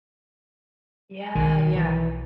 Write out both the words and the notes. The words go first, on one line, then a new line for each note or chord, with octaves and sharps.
Yeah, yeah.
B1 D#3
E3